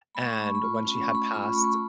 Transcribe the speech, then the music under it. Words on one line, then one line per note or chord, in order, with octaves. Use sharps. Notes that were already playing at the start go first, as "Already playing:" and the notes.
and when she had passed,
A3 B5
C#6
A3 B5
C#6
B5
F4 C#6
B5
C#4 C#6
B5
A3 C#6
B5
C#6
F4 B5
C#6
A3 B5
C#6
B5